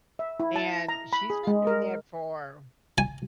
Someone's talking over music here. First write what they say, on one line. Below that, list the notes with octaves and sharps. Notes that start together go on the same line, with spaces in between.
And she's been doing that for
E5
E4
A5
A#5
B5
G#4
G#3
A#4
G#5